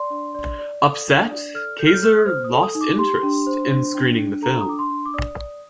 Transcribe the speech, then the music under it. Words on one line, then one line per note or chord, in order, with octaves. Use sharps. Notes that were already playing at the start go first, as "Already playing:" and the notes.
Upset, Kayzer lost interest in screening the film.
Already playing: D5 C6
D4
D5
D5
A4 D#6
D4
D5
A4 F6
A4 G6
F6
G6
A4 F6
D#6
C5 F6
D#6
A4
D#6
D#4
D6
G4 C6
D4
C5
D4
D4
D4
A4 A#5
D#6
D4 D6
C6
D4
D6
D5 D#6
D5